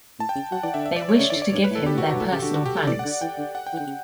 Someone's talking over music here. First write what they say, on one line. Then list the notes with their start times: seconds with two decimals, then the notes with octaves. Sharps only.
They wished to give him their personal thanks.
0.19 A2 A5
0.29 G5
0.35 C#3
0.52 F#3 F#5
0.63 E3 D5
0.74 D3 E5
0.86 E5
0.96 D5
1.09 C#5
1.19 C#3 C#5
1.30 E3 D5
1.36 D3
1.42 D5
1.53 G2 C#5
1.64 B4
1.70 A2
1.75 A4
1.82 B2 G4
1.94 A2
1.98 F#4
2.09 F#4
2.15 G2
2.20 A2 A4
2.32 C#3 G4
2.42 D3 F#4
2.54 F#4
2.66 G4
2.77 A4
2.84 D3
2.87 E3 D5
2.99 F#5
3.05 D3
3.21 E3 G5
3.38 D3
3.55 F#5
3.67 G5
3.73 E3
3.77 D3 G5
3.86 C#3